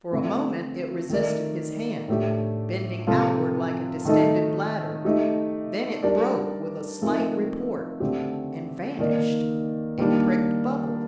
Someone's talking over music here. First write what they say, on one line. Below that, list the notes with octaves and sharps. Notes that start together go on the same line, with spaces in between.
For a moment it resisted his hand, bending outward like a distended bladder, then it broke with a slight report and vanished--a pricked bubble.
D3 A3 C4 F4
D#3 A3 D#4 A#4 D5
A2 A3 D4 G4
C3 F3 C4 F4 A4
D#3 A3 D#4 A4
A3 D#4 G4
G3 D4 G4 A#4 D5
F3 A3 C4 D#4 A#4
D3 A3 C4 G4
D#3 A#3 D#4 A#4 D5
D#3 G3 A#3 D4